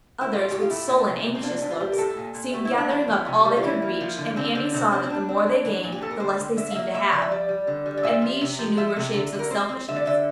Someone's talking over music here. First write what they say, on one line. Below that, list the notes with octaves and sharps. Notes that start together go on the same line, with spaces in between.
Others, with sullen, anxious looks, seemed gathering up all they could reach, and Annie saw that the more they gained, the less they seemed to have; and these she knew were shapes of Selfishness.
E4
A2 F4
A2 G4
F4
A3 E4
A#2
C3
C3
C4
A#3 D4
C4
A2 D4
F4
G3 G4
A#4
A2 A4
A#2
A#2
A3 G4
E4
A3
D4
F3 E4
F3
C3
G3
F4
E3 E4
A#3
F3
D3
D3 C4
D3 C4
C3 C4
G3 C4
C4
G3 D4
C4
E3
E3
A#2
G4
A#2 A4
A#4
D3 C5
D3
A2 E5
F5
A#3 E5
A#3 E5
F3 D5
E5
G3 D5
G3
D3
G3
D5
A#2 E5
F3
C3
F3
F3 E5
C3
D3
D3
A#4
C4 C5
C4
D3 E5
D5
D3 E5